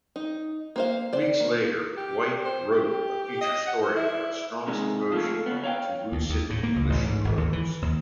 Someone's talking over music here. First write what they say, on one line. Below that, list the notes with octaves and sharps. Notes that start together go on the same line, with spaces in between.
Weeks later, White wrote a feature story about Strunk's devotion to lucid English prose.
D#4
A#3 C5 F5
C5 D5
A#3
G4
C5
G4
D#5
F#5
C5
E4
C3 D#3 G#3
F3 A3
C#3 B3
C#5 F5 G5
D#2
D#2
A2
A#3
C#2
A1
G#2
G#1
D#2
E3
D#2